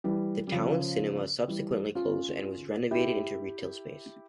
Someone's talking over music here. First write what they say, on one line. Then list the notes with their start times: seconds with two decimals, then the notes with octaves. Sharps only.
The Towne cinema subsequently closed and was renovated into retail space.
0.04 E3 G3
0.47 G3
0.52 C#3 F3
1.48 E3 G3
1.95 C#4 F4
2.91 E4 G4